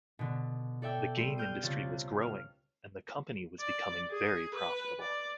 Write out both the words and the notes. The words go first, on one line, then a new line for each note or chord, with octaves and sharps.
The game industry was growing, and the company was becoming very profitable.
B2 D3
A4 D5 E5 G5
G3 C6 C7
F6 G6 D7 D#7
C#2 C#3 C4 A6
F6
D5
G#4
B4
D5